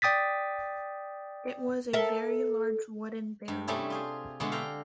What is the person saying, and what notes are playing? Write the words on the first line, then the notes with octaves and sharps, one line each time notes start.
It was a very large wooden barrel.
D5 G5 D#6 A6 B6
A4 A#4 E5
G2
C3 G3 A3 C#4 E4 G#4
F4 G#4 C5
B2 D3 G#3 B3 E4
A4 F5 G5 A#5